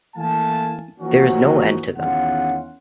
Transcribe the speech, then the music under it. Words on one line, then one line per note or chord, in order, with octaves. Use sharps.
There is no end to them!
E3 A3 A#3 F5 G#5 A5
E3 F3 A#3 C#4 D#4 F#4
E2 D#3 C#4 F4 F#5